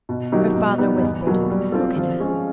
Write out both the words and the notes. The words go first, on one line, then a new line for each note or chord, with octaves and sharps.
Her father whispered, "Look at her!"
B2
F#3 A#3 D#4 G4
B2
G3 B3 D#4 G4
E2
B2 F#3 A#3
G3
C4 F4 A4
F3
G#3 C#4